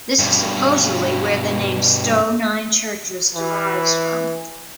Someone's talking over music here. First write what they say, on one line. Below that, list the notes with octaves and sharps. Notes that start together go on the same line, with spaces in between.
This is supposedly where the name Stowe Nine Churches derives from.
G2 B2
E3